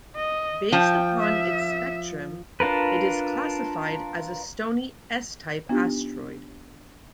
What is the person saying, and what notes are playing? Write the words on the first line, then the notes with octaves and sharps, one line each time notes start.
Based upon its spectrum, it is classified as a stony S-type asteroid.
D#5
F3 G5
E5
D4 F4 A#4 B4
B3 D4 D#4 F4 G4